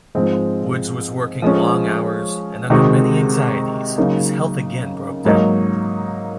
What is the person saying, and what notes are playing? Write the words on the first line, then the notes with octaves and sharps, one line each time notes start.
Woods was working long hours and under many anxieties, his health again broke down.
G#2 F3 G#3 C4
F3 G#3 C#4
C3 D#3 G#3 D#4 F#4
C#3 F#3 A#3 D#4
G#2 F#3 A#3 D#4